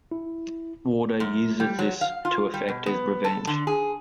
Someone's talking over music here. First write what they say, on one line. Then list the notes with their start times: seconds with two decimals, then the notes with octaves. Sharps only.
Waldo uses this to effect his revenge.
0.12 E4
1.20 F#2
1.60 G3
1.79 F#3
2.01 F5
2.25 F4
2.54 G3
2.68 B2
2.86 B3
3.24 A4
3.47 D3
3.67 G#4